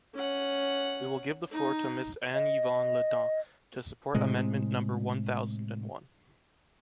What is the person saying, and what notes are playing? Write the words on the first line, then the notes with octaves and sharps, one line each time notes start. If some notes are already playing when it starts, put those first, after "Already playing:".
We will give the floor to Mrs Anne-Yvonne Le Dain, to support amendment number one thousand and one.
C#4 F#5
D#4
D#5
A2 C3 G#3